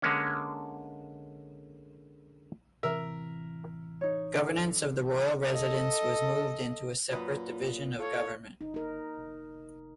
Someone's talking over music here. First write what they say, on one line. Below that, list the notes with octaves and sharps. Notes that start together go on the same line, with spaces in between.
Governance of the royal residence was moved into a separate division of government.
D3 G#3 A#3 C#4
A1 C3 E3 A#4 E5
D#4 C#5
D3
A4 D#5
F#2 A#2 B4 D#6
F4 A4 C#5
G1 D#4
D#4 A#4
F1